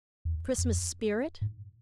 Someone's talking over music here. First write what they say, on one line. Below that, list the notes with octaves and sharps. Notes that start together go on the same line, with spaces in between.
Christmas spirit?
E2
F2
G#2